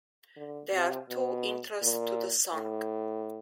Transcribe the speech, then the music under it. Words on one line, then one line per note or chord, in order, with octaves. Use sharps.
There are two intros to the song.
D3
C3
B2
A#2
A2